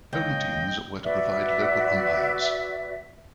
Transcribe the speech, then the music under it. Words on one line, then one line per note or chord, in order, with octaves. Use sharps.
Home teams were to provide local umpires.
C#2 D#5 G5
F#4 B4 D5 E5